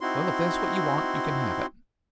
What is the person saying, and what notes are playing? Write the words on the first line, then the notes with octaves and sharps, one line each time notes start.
Well, if that's what you want, you can have it.
C4 D#4 E4 F#4 C6